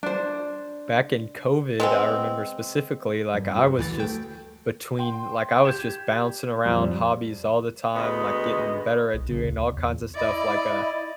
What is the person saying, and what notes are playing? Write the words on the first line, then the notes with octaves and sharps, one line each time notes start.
back in COVID, I remember specifically, like, I was just between, like I was just bouncing around hobbies all the time, like, getting better at doing all kinds of stuff, like, uh,
D4 C5
G#3 B3 C4
G2
F#4 B4
D2 E3 A6
A3 G5
G5 C6
G4 G6 G#6 E7
F2 G3
D2 G#3 B3 D#5
B1
C#3
D2
E2
E4 D5 D#5